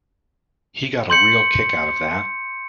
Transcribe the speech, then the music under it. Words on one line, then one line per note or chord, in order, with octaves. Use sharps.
He got a real kick out of that.
C6 G6 C#7